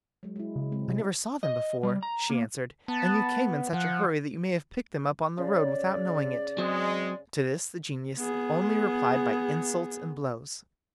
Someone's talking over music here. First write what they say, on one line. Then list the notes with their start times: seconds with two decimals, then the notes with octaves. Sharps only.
"I never saw them before," she answered, "and you came in such a hurry that you may have picked them up on the road without knowing it." To this the genius only replied by insults and blows.
0.23 F#3 G#3
0.36 G#3 E4
0.56 C#3
0.72 G#3 C4
0.88 C3
1.43 D#5
1.83 G3
2.03 A#5
2.30 A#3
2.88 B3 A5
3.73 F3 F#5
5.38 C#3 D5
6.58 F#3 G#3 C4
8.18 B3 G#4